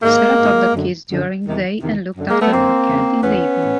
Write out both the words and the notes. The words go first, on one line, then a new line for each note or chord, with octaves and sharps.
Sarah taught kids during the day and looked after her cats in the evening.
G#2 D#3 G#3 A#3
G#2
D#3
F#2 D3
F#2 D3
E2 C3 D#3
E2 C3 D#3
F#2 D3
G#3 A#3
A3 B3
F#2 D3 A#3 C4
E2 C#3 E3
E2 C#3 E3 B3 C#4
A2 E3